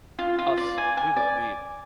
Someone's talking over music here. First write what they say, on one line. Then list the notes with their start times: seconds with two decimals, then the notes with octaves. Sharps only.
Us, we will read.
0.19 F4
0.39 F4
0.57 D5
0.78 G#5
0.97 G#5
1.17 D5